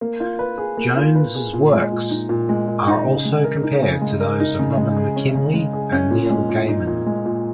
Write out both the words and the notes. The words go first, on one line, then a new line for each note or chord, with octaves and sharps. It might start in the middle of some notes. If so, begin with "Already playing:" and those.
Jones' works are also compared to those of Robin McKinley and Neil Gaiman.
A#3
F4
B4
G#4
A#3
F4
B4
G#4
A#2
G#3
A#2
D#4
A#2
G#3
A#2
D#4
C#3
G#3
A#4
D#4
C#3
G#3
A#4
D#4
C#3
G#3
G#4
C#4
C#3
G#3
G#4
C#4
A#2
G#3
A#2
D#4
A#2
G#3
A#2